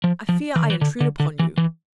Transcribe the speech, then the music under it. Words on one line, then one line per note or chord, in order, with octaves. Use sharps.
I fear I intrude upon you.'
F3
F3
E3
D3
E3
D3
D3
D3
E3
E3